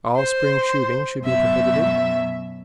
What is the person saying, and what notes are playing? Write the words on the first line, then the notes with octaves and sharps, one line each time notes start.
All spring shooting should be prohibited.
C5
F#2 B2 E5